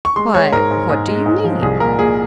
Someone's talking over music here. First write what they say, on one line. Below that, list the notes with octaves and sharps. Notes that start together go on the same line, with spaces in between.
"Why, what do you mean?"
C#6
G#3 C6
G#3 C#5
G#2 A#4
G#2
G#2
G#3
G#2
F3
C2 G#4
A#2 A#4
A#2 G#4